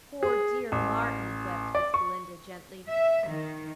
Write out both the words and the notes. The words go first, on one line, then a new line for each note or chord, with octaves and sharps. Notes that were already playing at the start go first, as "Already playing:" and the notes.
"Poor, dear Martin!" wept Miss Belinda gently.
G#4
A1
D5
C#6
E5
D#3